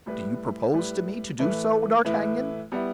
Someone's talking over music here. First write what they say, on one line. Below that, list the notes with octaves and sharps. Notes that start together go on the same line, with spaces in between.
"Do you propose to me to do so, D'Artagnan?"
A2 G3 E4 B4
A2 G3 E4 B4
A2 E3 A3 E4 B4
A2 E3 A3 E4 B4
G3 B3 E4